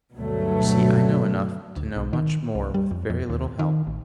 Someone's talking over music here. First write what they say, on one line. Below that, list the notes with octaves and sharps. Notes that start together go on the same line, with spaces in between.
You see I know enough to know much more with very little help.
D2 G2 B2 F#3 A3
D2
B1
D#3
C2
G3
F2
F2
D#2
D#3
A1